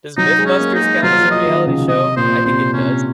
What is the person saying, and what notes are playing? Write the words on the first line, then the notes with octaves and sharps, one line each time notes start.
Does MythBusters count as a reality show? I think it does.
F#3 D#4
G#3
C#4
A#3
D#4
G#3
F#3 F4
F3
D#5
D#3
C#3
C3 D#5
A#2 C5
C3 C5
C3 C#4